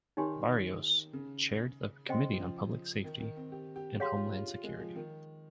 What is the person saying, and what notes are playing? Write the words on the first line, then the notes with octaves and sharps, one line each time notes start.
Barrios chaired the Committee on Public Safety and Homeland Security.
D#3 D#4 G4 C#5 G#5 C6
C#3
C#3 C5 D#5 G5 C6
F3
D#3
D#3
C4
G4
G4
G4 G#4 C#5 F5 C6
F4
F4
F4
G#3
F3
D#3